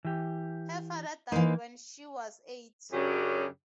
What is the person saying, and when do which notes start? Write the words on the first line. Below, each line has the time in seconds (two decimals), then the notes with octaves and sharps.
Her father died when she was eight.
0.05 E3 G4
1.32 E3 A#3 D#4 C5
2.92 F#2 C#3 F#3 D4 G4 G#4